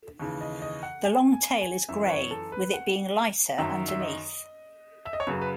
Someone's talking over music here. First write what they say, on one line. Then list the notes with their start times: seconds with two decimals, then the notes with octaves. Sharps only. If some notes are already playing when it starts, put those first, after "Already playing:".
The long tail is gray with it being lighter underneath.
0.20 D#2 C#3 E3
0.41 D#5
0.62 D#5
0.83 F#5
1.05 G#5
1.33 G#5
1.61 G#5
1.89 F#2 E3 E5
2.05 B4
2.10 C#5
2.31 A4
2.52 B4
2.74 F#5
3.58 F#2 D#3 F#3 E5
3.88 E5
4.00 D#5
5.05 E5
5.13 D#5
5.20 C#5
5.27 F#2 C#3 F#3 B4
5.42 B4